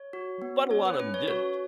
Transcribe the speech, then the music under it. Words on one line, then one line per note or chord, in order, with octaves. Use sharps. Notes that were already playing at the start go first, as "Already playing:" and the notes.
but a lot of 'em didn't,
Already playing: C#5
F#4
B3
C#4 C#5
B4
C#4 B4
C#5
F#4 C#5